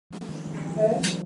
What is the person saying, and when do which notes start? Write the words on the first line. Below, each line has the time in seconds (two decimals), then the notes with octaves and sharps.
The band consists of members of the bands Happy Diving and Big Bite.
0.11 F3
0.29 D#3
0.47 D#3
0.54 F3
0.61 D#3
0.69 F3
0.76 D#3
0.88 G3
1.00 F3